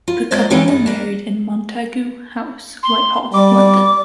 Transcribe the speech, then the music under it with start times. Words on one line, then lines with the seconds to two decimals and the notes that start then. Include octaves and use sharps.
The couple were married in Montagu House, Whitehall, London.
0.08 F4
0.31 F#3 G#3 A#3 C5 D5 D#5
0.50 E3 F3 G#3 C#4 D#4 G4
0.68 G2 D#4 D5
0.86 A#3 D4
2.82 C6
3.33 G3 D5 D6